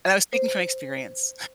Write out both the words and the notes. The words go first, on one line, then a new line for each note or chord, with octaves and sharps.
and I was speaking from experience.
C5